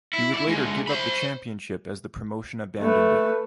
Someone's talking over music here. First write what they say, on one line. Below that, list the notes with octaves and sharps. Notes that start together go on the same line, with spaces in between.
He would later give up the championship as the promotion abandoned it.
E4
E4 D5
D2 G#3
C5 B5
A3 B4